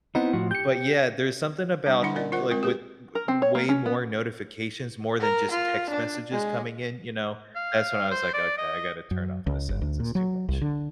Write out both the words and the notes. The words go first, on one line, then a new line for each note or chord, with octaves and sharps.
but, yeah, there's something about, uh, the like, with with the way more notifications, more than just text messages coming in, you know, that's when I was like, "Okay, I gotta turn off the sounds. It's too much."
B3 C4 D#4 E4 D#5 F#5
A2 F3 F#4
G4 G6 C#7
G3 D4
D3 G3 D4 E4 F#5 C6
C#4 A#4 D5 D#5
F4 A#4 C5 F#5
G#3 C4 F4 A#4
G4 G#4 B4
A#4
C4
C#5
A#3
C#4
B3
A#4
F4
D4
G#3
F5
C5
D5
D#5
F#2
C#2
G1
D2
A#2
F#3
C2
D3